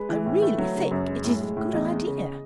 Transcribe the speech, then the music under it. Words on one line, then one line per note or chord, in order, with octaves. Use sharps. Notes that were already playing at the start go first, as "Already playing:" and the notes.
'I really think it is a good idea.
Already playing: G#3 B4
E3
A2
A3
F#3
C#3
F#2
G#3
A2
G#3
A2
E2 D#5
G#3
C#3